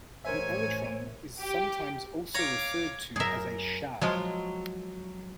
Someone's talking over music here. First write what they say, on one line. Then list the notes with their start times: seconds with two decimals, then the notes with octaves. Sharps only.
An elytron is sometimes also referred to as a shard.
0.25 A1 A#4 C5 C#5 E5 G#5
1.42 G4
2.35 C#5 F5 A#5 D6 G#6
3.16 F#2 G#4 A#4 E5
4.01 F3 F#3 G#3 F4